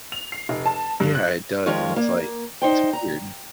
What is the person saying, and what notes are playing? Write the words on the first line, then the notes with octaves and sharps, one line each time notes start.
Yeah. It does. And it's, like, it's weird.
F7
C7
F1
A5
G2
F#6
D#3 F3 G#3 C#5 F5
A#3
D#4 C5 G5
A#5